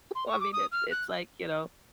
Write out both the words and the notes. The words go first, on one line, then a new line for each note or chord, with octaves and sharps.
I mean, it it's like, you know
C6
C#6
D6
D#6
F6
F#6